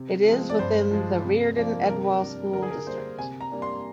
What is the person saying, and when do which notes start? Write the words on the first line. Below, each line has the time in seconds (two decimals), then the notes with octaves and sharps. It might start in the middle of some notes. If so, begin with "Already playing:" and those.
It is within the Reardan-Edwall School District.
Already playing: C3
0.27 F3 G#3 C4
0.50 D5
0.59 G2 C5
0.91 F3 G#3
1.24 C3
1.57 F3 A#3 D4
1.89 C3 A#4
2.22 G3 D4
2.53 D3 A#4
2.62 G#4
2.71 A#4
2.86 G3 A#3 C5
3.19 C3 G#5
3.41 A#5
3.51 G3 A#3 D4
3.62 C6